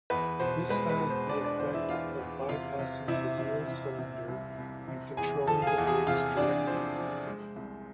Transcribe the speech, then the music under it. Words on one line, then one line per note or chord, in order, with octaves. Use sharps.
This has the effect of bypassing the wheel cylinder and controlling the brakes directly.
E2 B4
B2 C5
G#3 B4
B4
B2
C5
B2 D4 D5
D4 D5
E2 C5
E4 E5
E2 F4 F5
E2
C3 F4 F5
C3
C3 E4 E5
C3
C3
C3
C2
C2
C3
E2 G#4 G#5
F3 A4 A5
F5
G#4 G#5
E2
G#4 G#5
C3 F4 F5
E2 D4 D5
F3 C5
F3
G#3
C2